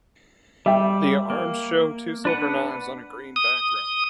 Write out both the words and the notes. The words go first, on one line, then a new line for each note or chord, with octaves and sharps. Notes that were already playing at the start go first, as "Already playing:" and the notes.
The arms show two silver knives on a green background.
G3 E5 G5
A#3
D4 B4 F#5
D#6